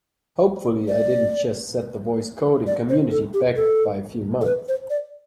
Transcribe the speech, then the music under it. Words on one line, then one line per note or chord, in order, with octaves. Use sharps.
Hopefully I didn't just set the voice coding community back by a few months!
D5
D5
C5
A4
G4
A4
A4
B4
C5
D5